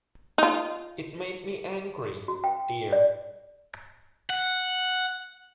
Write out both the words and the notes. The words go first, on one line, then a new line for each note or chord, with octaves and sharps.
It made me angry, dear.
D#4 F4
F#4
G5
D5
F#5